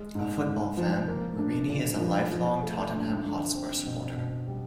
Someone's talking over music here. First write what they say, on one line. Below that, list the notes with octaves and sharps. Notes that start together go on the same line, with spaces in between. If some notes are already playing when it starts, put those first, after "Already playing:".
A football fan, Ramini is a lifelong Tottenham Hotspur supporter.
Already playing: G#3
G#2
G#2
F3
A#3
D4
A#2
F3
F3
A3
G2
D3
C4
B2
B2
G3